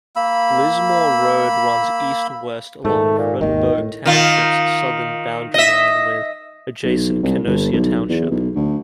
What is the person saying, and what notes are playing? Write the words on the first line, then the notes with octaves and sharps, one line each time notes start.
Lismore Road runs east-west along Fredenberg Township's southern boundary line with adjacent Canosia Township.
A#3 B5 E6
G#2 D#3 A3
A#2
G#1 D#2 D#3
A2
D#3 F4
D#5 E5
B1
C2
G1
B1
E2
B1
D2